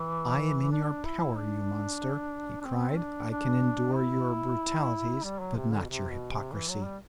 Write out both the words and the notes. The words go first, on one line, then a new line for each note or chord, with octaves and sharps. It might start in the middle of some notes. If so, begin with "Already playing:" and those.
"I am in your power, you monster!" he cried; "I can endure your brutalities, but not your hypocrisy."
Already playing: E3
D4
E4
D4
D4
C4
D4
D4
E4
G3
F#3
C3
D3
B2
C3
B2
C3
E3
F#3
G3